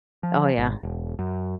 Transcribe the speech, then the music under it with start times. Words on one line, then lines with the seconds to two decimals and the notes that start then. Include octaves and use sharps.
Oh, yeah.
0.23 F3
0.58 G#1
0.83 E1
1.19 F#2